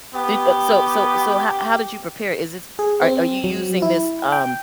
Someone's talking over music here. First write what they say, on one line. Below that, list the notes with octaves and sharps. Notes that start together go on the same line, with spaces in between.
Did uh, so so so ho how did you prepare it, is this are are you using this, um
B3 G4
G#4
C4
F#3
E4
G5